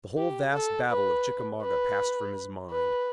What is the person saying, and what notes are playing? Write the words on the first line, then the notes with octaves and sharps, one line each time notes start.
The whole vast battle of Chickamauga passed from his mind.
G4
A4
B4
B4
B4